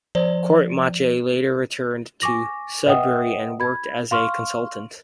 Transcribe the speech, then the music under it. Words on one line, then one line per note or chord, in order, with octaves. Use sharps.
Courtemanche later returned to Sudbury and worked as a consultant.
F3 C5 D5
G#5 C#6 D6 A#6
B4 D#5 E5 F#5 G5 D#6
B5 G#6
F5 C6 C#6 F6